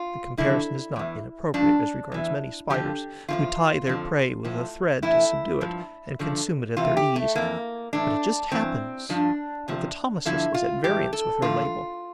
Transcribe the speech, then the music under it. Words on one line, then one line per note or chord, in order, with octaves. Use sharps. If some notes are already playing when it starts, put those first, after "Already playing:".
The comparison is not inappropriate as regards many Spiders who tie their prey with a thread to subdue it and consume it at their ease; but it just happens that the Thomisus is at variance with her label.
Already playing: F4
G2 D3 F3 E4
E2 E3
G2 F3 D4
E2 E3
F2 D3 F3 G4
E2 D3 F3 F4
F2 D3 F3
A2 F3
A2 E3 E4
G2 F3
G2 D3 F3
E2 C3 E3 F4
G4
A3
F2 E3 A#3
A2 E3 D4
G2 E3 C4
G2 F3 D4
E2 C3 F3
G2 D3 F3 E4
F4
A2 E3 G4
A4
E2 D3 F3 F4